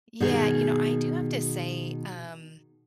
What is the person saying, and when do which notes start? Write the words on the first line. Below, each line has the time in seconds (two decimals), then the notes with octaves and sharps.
Yeah, you know, I do have to say, um
0.20 B2 D#3 G#4